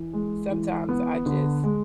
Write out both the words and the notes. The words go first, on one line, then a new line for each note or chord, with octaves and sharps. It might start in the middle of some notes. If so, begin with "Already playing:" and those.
sometimes I just
Already playing: E3
G#3
E3
B3
D3
G#3